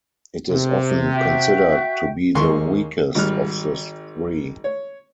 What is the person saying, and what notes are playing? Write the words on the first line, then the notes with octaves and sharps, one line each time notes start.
It is often considered to be the weakest of the three.
C3
F#4 E5 G5
D#2 G#3 A#3 C6 C#6
G#1 G3 F6
C#5